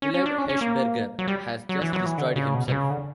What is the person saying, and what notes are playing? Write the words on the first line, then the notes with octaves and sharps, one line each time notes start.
Willard Hershberger has just destroyed himself.
C#4
C#4
D4
C#4
C#4
A#3
F#3
G3
F#3
E3
F#3
E3
D3
C#3
B2
B2
C#3
D3